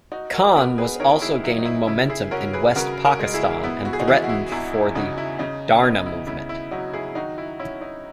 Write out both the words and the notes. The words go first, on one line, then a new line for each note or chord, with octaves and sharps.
Khan, was also gaining momentum in West Pakistan and threatened for the "Dharna" movement.
D#4 F#4
F#4 A#4
B3 F#4 A#4
G#4 B4
D#3 A#4 C#5
E4 G#4
F#3 E4
D#4
E4
C#3 E4
E4 G#4
C#4 F#4 A#4
G#4 B4
C#3 F#4 A#4
F#4 A#4
G#3
E4 G#4
B3 E4
F#4
G#4
D#4 F#4
E3 E4 G#4
F#4
E4
E2 E4
E4
C#3 D#4 F#4
E4
C#3 D#4
B3 D#4
E4
C#3 E4
E4
F#3 D#4 F#4
E4 G#4
D#3 D#4 F#4
E4
C#4 E4
D#4